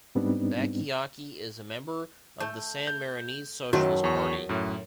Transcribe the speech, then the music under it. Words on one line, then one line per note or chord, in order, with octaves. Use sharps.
Bacciocchi is a member of the San Marinese Socialist Party.
G#2 G3 B3 C4 D4 D#4
A3 G6
G6
F#2 D#3 F#3 A3 F#4
E2 C#6
F#2 A2